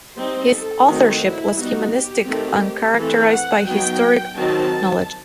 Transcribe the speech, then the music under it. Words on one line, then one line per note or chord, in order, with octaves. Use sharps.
His authorship was humanistic and characterized by historic knowledge.
G3 C4 D#4 C5
A4
D#3 A3 C4 D#4 F#4
E4
G3 B3 D#4 F#4
G4
D#3 A3 C4
E3 A3 C4 A4
F#5
F#3 B3 D#4 G5
D#3 F#3 C4 D#4 A5